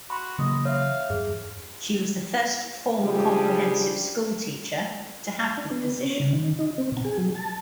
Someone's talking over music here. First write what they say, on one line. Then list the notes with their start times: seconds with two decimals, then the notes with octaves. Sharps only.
She was the first former comprehensive school teacher to have the position.
0.10 F#4 B5 C6
0.39 C#3 E3 F#3 A#3 D#5
0.65 C#5 E5 F5
1.10 E2 G2 G#4
3.00 C#3 F3 G3 D4 G4 G#4
5.57 D4
5.71 B3
6.03 C#4
6.20 C#3
6.33 D#3
6.59 D#4
6.78 C4
6.92 B2
7.05 G#4
7.18 F#3
7.35 A5